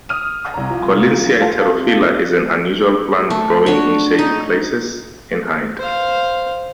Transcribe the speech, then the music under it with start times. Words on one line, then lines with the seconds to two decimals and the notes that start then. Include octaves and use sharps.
"Collinsia heterophylla" is an annual plant growing in shady places, in height.
0.09 D#6 F6 D#7
0.54 C2 A#5
0.70 F3
1.41 F4 A4 F5
1.67 C3
3.30 A3
3.66 D4 F#4 C#5
4.19 D#4
5.79 C5 F5